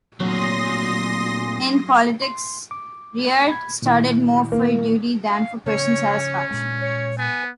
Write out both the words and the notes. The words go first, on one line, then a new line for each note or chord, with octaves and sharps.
In politics, Riart started more for duty than for personal satisfaction.
D1 A#2 F#3 C6 D#6 A#6
C6
D6
B5 G#6
A#2 D#3 E4
A#3
F5
C#3 F3 A#3 C#4 C#5
A#2 G#3
C#5
B3 G#5